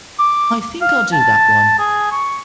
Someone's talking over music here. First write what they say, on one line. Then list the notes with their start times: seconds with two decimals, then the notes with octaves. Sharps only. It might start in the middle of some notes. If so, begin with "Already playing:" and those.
I think I'll do that one.
0.19 D6
0.81 F5
1.12 A5
1.79 G#4
2.11 C#6